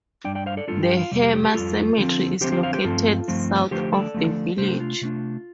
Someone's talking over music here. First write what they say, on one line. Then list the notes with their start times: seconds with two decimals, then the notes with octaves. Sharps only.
The Hamer Cemetery is located south of the village.
0.24 G2 G3 D4 D5 G5
0.35 D5 G5
0.46 C5 F5
0.57 A4 D5
0.68 G2 G3 D4 F4 A4
0.83 G4
0.97 F4
1.11 F2 C3 G3
1.22 G4
1.33 G4
1.44 G4
1.54 F2 C3 G3 F4 A4
1.98 D3 F3 C4
2.41 D3 F3 C4 G4 C5
2.52 G4 C5
2.63 C5 F5
2.74 G4 C5
2.85 G2 F3 A3 C4 F4 A4
3.28 G2 F3 A3 C4
3.71 D3 F3 A3 G4 C5
3.93 A4 D5
4.14 D3 F3 A3
4.58 C3 A3 D4 G4 C5
4.80 F4
5.02 C3 A3 D4